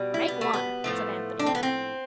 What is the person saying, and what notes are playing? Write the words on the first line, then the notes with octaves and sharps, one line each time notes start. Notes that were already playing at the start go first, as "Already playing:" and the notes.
"Make one," said Anthony.
Already playing: B2 G3
E4
B3
A3
B3
A2 F3 A3
D4
C4
B3
C4